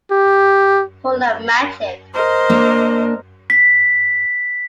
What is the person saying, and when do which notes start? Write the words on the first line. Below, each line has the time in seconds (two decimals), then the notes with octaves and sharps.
Full of magic.
0.11 G4
2.13 A#4 C5 D#5
2.50 A#3 D4
3.50 B6